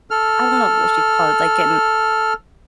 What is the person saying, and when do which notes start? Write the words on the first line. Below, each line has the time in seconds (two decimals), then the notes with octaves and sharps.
I don't know what you call it, like in
0.11 A4 F6